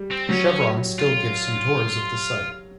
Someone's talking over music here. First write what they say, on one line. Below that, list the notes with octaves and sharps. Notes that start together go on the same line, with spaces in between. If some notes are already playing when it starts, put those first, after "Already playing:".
Chevron still gives some tours of the site.
Already playing: G3
C4
F#3 C#4
C#4
F4